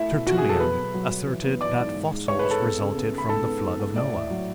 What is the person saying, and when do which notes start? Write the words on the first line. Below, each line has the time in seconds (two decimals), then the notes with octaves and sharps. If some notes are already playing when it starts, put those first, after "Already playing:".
Tertullian asserted that fossils resulted from the flood of Noah.
Already playing: A3 E4 E5
0.10 B2
0.27 B2 F#4 F#5
0.38 G#4 G#5
0.43 F#3
0.49 A4 A5
0.60 B3 B4 B5
0.77 B3
0.94 F#3
1.11 F#3
1.27 E3
1.44 B3
1.61 E3 D5 D6
1.78 G#2
1.95 G#2
2.12 G#3
2.28 G#2 C#5 C#6
2.39 B4 B5
2.45 G#3
2.51 A4 A5
2.62 B3
2.79 C#3
2.96 B3
3.12 C#3
3.18 B5
3.29 G#2 A4 A5
3.46 B3
3.63 G#2
3.79 G#2
3.96 A2 D5
4.13 A2
4.30 F#3